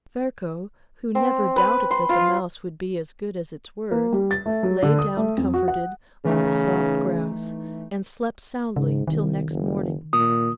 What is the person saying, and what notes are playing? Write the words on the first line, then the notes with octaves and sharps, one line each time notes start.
Ferko, who never doubted that the mouse would be as good as its word, lay down comforted on the soft grass and slept soundly till next morning.
C4
B4
C6
F4
A#3
G3
A6
A3
F#3
D3
D#6
A3
F2
F#4
F#5
C#3 E3 A3 D#4
G#2 C#3
C2 D#3
F#1
A#2 D#6